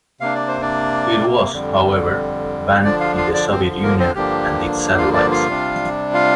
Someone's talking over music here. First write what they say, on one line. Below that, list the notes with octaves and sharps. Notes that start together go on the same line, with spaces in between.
It was, however, banned in the Soviet Union and its satellites.
C3 A#3 D4 F5
D5
C5
D4 D5
F2 D3 G3
D3 F3 D4 D5
F4 F5
F4 F5
D4 D5
C4 C5
A#3 A#4
C4 C5
G2 D3 F3 A#3 D4 G4
F4 F5
D4 D5
F4 F5
C3 G3 D4
F4 F5